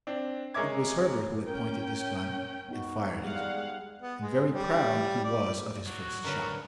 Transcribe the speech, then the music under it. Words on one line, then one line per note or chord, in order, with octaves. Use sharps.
It was Herbert who had pointed this gun and fired it, and very proud he was of his first shot.
C4 D4
G#3 A#4 C#5 E5 D6 G#6
C#4 A#4 G5
B3 D#4 F#4
G3 G#3 F5 F#5
B3
G#3
G3
D5
F#3 D4 F#4
G2 D3 F#3 A#4 B4 C#5